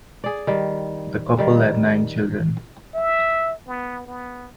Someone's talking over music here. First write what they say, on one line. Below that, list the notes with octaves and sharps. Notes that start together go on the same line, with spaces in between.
The couple had nine children.
G#4 D5
D#3 G3
D#3 G3
E5
B3
B3